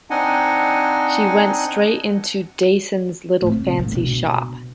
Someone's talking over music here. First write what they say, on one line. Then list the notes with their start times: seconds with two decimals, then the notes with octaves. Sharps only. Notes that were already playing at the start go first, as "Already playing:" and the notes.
She went straight into Dayson's little fancy shop.
0.10 C4 D4 D#4 D#5 F#5 G#5
3.42 A2 C4
3.65 A#1 C3
3.79 G#2 F3
3.93 B2 D4